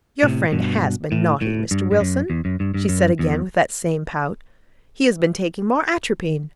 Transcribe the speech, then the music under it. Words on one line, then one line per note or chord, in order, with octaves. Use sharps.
'Your friend has been naughty, Mr. Wilson,' she said again with that same pout: 'he has been taking more atropine.'
A2 C3
G2 B2
A2
A2
G2
G2
F#2
E2
F#2
G2
G2
F#2
E2